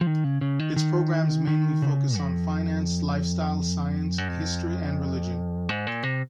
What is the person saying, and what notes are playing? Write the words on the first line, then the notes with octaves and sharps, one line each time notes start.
Its programmes mainly focus on finance, lifestyle, science, history and religion.
F3
D#3
C#3
C#3
D#3
D#3
D#3
C#3
F2
F#2
F2
G#2
A#2
C3